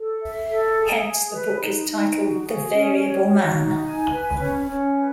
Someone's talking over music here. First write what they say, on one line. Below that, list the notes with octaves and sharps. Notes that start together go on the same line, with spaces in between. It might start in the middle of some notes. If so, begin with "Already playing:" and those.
Hence, the book is titled "The Variable Man".
Already playing: A4
E5
A4
G#4
G#4
B4
D#4
D#4
F#4
G#4
C#4
C#5
F#4
D#4
G#5
B4
C#4
C#4
B4